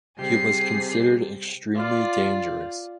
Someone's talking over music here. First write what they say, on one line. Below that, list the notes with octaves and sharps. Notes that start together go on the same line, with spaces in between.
He was considered extremely dangerous.
C3 G3 G4 G#4 C7
F4 D5